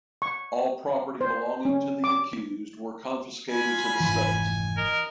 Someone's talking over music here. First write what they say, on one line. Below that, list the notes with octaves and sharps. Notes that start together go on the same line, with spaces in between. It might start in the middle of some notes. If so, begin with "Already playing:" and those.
All property belonging to the accused were confiscated to the state.
C#6
C5
C#4
D6
F4 G#5 B5
F1 G#2 E3
A#4 D#5